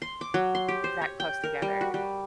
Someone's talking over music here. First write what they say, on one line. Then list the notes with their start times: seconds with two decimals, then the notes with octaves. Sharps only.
that close together.
0.02 C6
0.21 D6
0.34 F#3
0.55 C6
0.68 G4
0.84 C5
1.01 C#5
1.20 G5
1.44 A#4
1.62 G3
1.81 F#4
1.94 G3